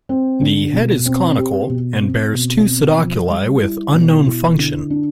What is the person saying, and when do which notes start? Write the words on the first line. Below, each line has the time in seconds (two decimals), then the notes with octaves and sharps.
The head is conical, and bears two pseudoculi with unknown function.
0.09 C4
0.41 D3
0.73 B2
1.06 C4
1.38 G4
1.69 B2
2.01 C4
2.34 B2
2.66 C4
2.98 F3
3.30 G3
3.62 E4
3.94 B2
4.26 E4
4.58 D3
4.90 D4